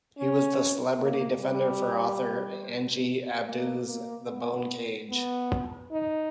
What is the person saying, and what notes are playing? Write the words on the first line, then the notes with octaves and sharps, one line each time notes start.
He was the celebrity defender for author Angie Abdou's "The Bone Cage".
C#4
A#3
G3
A#3
A#3
B3
B3
D#4